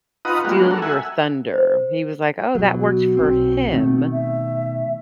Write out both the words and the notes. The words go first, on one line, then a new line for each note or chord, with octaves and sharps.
steal your thunder. He was, like, oh, that works for him.
D#4 F4 B4 F#5 A#5 D#6
G3 G#3 A#3 B3 F4 F#4
F#3 G#3 D4 A#4
F#4 A4 A#4
E5 F#5 G#5
C5
B2 F#3
F#4
B1 C4
B2 D#3 A3 C4
E5